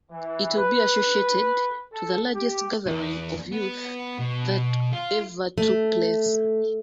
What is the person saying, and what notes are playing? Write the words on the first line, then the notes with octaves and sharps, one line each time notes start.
It will be associated to the largest gathering of youth that ever took place.
E3
B4
A4
G4
E2
B3
B2
F4
A3